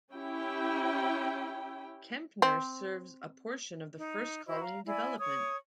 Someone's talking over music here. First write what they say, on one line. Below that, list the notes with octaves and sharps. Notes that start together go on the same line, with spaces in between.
Kempner serves a portion of the First Colony development.
C#4 E4 G4 G5
C4
D#4
E4 F#4 C5 D#5
F5 A#5
E4 D5 G#5
C#5 C#6 D#6